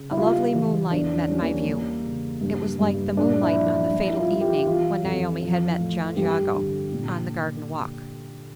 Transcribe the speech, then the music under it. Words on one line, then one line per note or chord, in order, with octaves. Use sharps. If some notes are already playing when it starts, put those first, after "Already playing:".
A lovely moonlight met my view; it was like the moonlight on the fatal evening when Naomi had met John Jago on the garden walk.
Already playing: C#3
E4
G3 F4
E3
E2 D4
C#4
G3 C#4
A#3
G3
C#3
G2
G2
A#2 D4
E4
F3
D4
G3 E4
E4
F4
G3
F4
G4
E3 F4
F2
F3
A2
G2 G4
D3
A#2